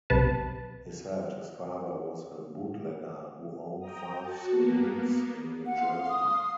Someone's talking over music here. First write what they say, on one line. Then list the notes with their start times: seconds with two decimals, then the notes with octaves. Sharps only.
He said his father was a bootlegger who owned five saloons in New Jersey.
0.10 B1 C3 B4 A5
3.79 G5 A#5 D#6
4.19 F#4 A5
4.51 A#3 B3
5.66 F5 F#5 C6
6.08 D#6